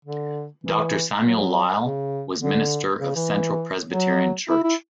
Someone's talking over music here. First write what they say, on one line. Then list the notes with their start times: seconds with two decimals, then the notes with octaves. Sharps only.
Doctor Samuel Lyle, was minister of Central Presbyterian Church.
0.05 D3
0.64 E3
1.24 F#3
1.82 C#3
2.42 D3
3.01 C#3
3.16 E3
3.90 F#3
4.49 E4
4.64 E4